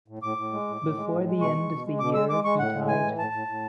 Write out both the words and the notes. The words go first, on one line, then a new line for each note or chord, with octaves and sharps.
Before the end of the year he died.
A2
A2 D6
A2
G#3
A2
A2
G#3
A2
G#3
B2 C#6
G#3
B2
G#3
B2 D6
G#3 E6
G#3 D6
G#3 C#6
A2 F#5
G#3
E3 G#5
A2
A2 A5
A2
A2